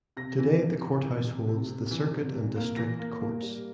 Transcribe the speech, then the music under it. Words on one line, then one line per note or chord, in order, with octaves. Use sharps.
Today the Courthouse holds the Circuit and District Courts.
C3 A#6
E3
C3
C3
E3
C3
C3
C3
E3
C3
C3
A#3
E3 A#6
A#3
A#3
G3